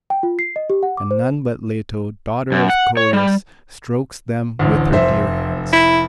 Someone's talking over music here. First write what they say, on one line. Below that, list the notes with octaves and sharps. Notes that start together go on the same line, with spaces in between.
And none but Leto, daughter of Coeus, strokes them with her dear hands.
G5
F4
C7
D#5
G4
F#5
D6
C5
F#2
F#5
C#5
G3
A1 D2
F1 C5 E5
E4